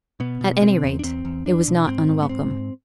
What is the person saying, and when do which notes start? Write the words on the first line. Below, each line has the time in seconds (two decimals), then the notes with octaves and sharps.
At any rate, it was not unwelcome.
0.20 B2 B3
0.41 B2
0.61 B2 C4
0.83 E2
0.99 D4
1.04 E2 C4
1.25 E2
1.46 E2 D4
1.68 B2
1.87 G#2 C4
2.09 G#2
2.22 B3
2.29 G#2 C4
2.50 G#2